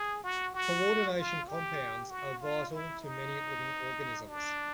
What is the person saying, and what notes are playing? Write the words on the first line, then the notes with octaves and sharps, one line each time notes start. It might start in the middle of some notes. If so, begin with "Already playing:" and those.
Coordination compounds are vital to many living organisms.
Already playing: G#4
F#4
F#4
F4
G4
F#4
F4
E4
D#4
D4